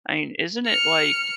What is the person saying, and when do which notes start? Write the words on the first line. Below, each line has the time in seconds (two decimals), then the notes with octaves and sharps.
I mean, isn't it, like,
0.67 F6 C#7